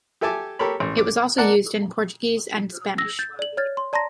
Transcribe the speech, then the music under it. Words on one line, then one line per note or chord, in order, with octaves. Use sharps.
It was also used in Portuguese, and Spanish.
G4 A4 E5 G#5 A5 D6
G4 A4 A#4 C#5 B5
A1
D6
A#4 D5 F#5 A5
E6 A#6
G6 A6
D5 F#7
C#5 F6 G#6 A6
C6
D5 A5 A#5 C6 A#6